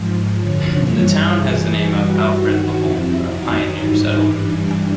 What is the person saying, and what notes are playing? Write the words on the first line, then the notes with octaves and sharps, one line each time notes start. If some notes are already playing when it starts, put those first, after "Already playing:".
The town has the name of Alfred Labolt, a pioneer settler.
Already playing: G#2 F3
F#2 D3 F3 C#5
G2 E3 G3 C#5
G2 E3 G3 G#4
G2 E3 G3 F#4
G2 D#3 F#3
F2 C3 F3 E4
F#2 D#3 F#3 D#4
G#2 E3 G3
G2 E3 G3 D4